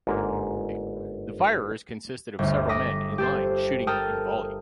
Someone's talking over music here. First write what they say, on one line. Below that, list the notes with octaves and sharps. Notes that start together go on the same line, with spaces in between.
The firers consisted of several men in line shooting in volley.
G1 G#2 A#3 A#4 F#5
G1 D2
D6 D#6 A#6 B6
G4 A4 C5
A4 A#4 G5 A5 D#6 F6